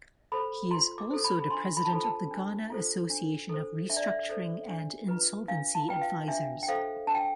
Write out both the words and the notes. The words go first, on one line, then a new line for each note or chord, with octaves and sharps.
He is also the President of the Ghana Association of Restructuring and Insolvency Advisors.
A4 C5 B5
F4 C6
D6
A4 C5
B5
B5
D4 C6
B5
A5
F4 A4 C5 B5
A5
D4
F4 A4 C5
D4
A4 C5
D4 E5
D5
E5
A4 C5
D4
F4 B4
D4 F5
A5
F4 B4 G5
F5
D4 E5
G5
A4 C5 F5
D4 A5
G5